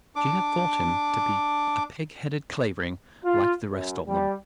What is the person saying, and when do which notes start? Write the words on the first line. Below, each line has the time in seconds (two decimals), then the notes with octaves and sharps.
She had thought him to be a pigheaded Clavering, like the rest of them.
0.16 D4 D6
3.24 F4
3.70 F#2
4.07 G3